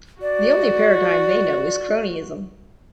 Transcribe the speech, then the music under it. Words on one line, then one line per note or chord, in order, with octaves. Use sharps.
The only paradigm they know is cronyism.
F#4 D5